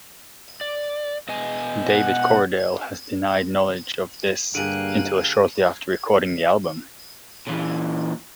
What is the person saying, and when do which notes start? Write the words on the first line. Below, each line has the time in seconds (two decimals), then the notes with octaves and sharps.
David Coverdale has denied knowledge of this until shortly after recording the album.
0.61 D5
1.29 B2 D#5 G#5
1.88 F#5
4.55 G2 D3 A#3 G4 G#4 F#6 D7 D#7
7.47 A#2 E3